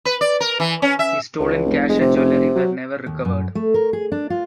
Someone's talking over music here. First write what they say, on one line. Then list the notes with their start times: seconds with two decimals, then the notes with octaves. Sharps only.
The stolen cash and jewelry were never recovered.
0.05 B4
0.21 D5
0.40 A#4
0.60 E3
0.82 C#4
0.99 E5
1.39 C#2
1.66 F1
1.89 G#3
2.01 C3
2.17 C3
2.56 F#3
3.06 D#2
3.25 F#2
3.55 A3
3.74 A#4
3.93 G#4
4.12 D4
4.30 F4